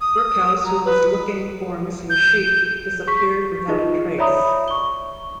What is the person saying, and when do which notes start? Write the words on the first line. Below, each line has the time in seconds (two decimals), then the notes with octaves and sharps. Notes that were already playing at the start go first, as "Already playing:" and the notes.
Brookhouse who was looking for missing sheep disappeared without a trace.
0.01 D#6
0.65 A#5
0.85 B4
2.10 G6
3.07 G#4 C#6 B6
3.68 D#4 F4 G#4 D#5
4.19 C#5 D5 E5 A#5 B5 D#6
4.68 C#6 G7